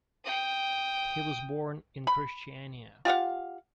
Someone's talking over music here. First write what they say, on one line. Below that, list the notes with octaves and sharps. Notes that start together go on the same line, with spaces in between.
He was born in Kristiania.
G5 D#6
B5
F4 G4 F5 F#5